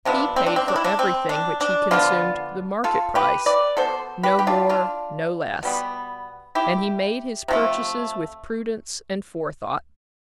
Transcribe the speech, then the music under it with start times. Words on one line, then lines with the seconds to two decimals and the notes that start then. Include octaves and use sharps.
He paid for everything which he consumed the market price--no more, no less--and he made his purchases with prudence and forethought.
0.05 C3 F3 B3 D4
0.36 C4
0.46 D4
0.56 C4
0.68 D4
0.76 E4
0.84 D4
0.99 C4
1.29 D4
1.61 D4
1.91 D3 F3 B3 D4 F4
2.84 F4 A4
3.15 G4 B4
3.46 B4 D5
3.77 B2 B3 A4 C5
4.23 G4 B4
4.39 G4
4.47 D4 F4
4.69 D4 F4
5.63 B2 G3 B3
6.55 E4 G4
7.48 C3 F3 A3